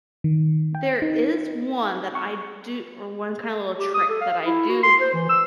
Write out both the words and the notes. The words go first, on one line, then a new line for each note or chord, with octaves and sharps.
There is one that I do or one kinda little trick that I do
D#3
G5
D#4
C#6
G4
D#6
A4
F5
E4
F#4
C6
C5
E3
E6